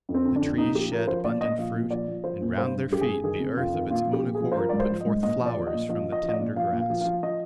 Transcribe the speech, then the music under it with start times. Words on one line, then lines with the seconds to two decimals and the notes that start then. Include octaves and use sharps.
The trees shed abundant fruit, and round their feet the earth of its own accord put forth flowers from the tender grass.
0.09 F2
0.14 C4
0.25 D3
0.36 D4
0.41 F2
0.58 A#2 D#4
0.75 F3 G4
0.92 F3 A#4
1.08 F3 C5
1.24 A#2 D5
1.41 A#2 D#5
1.58 F3 F5
1.74 A#2
1.91 F3 D5
2.08 F3
2.24 F3 C5
2.41 A#2
2.58 G2 C5
2.74 G2
2.90 G2 G4
3.01 G#4
3.07 G2
3.23 D#3 G#4
3.40 C3
3.57 F2 F4
3.74 D#3
3.90 A#2 F4
4.06 F3
4.13 G4
4.24 A#2
4.35 G#4
4.40 F3
4.52 C5
4.56 F3 A#4
4.69 G#2 D5
4.80 C5
4.91 F3
5.01 D#5
5.06 G#2
5.23 A#2 D#5
5.40 F3
5.46 D5
5.56 F3
5.67 D#5
5.73 A#2
5.89 F3 D#5
6.06 F3
6.12 D#5
6.23 F3
6.29 D#5
6.34 D5
6.40 A#2
6.56 F3 F5
6.72 A#2
6.78 F5
6.90 F3
7.01 F3 F5
7.23 F3 D#5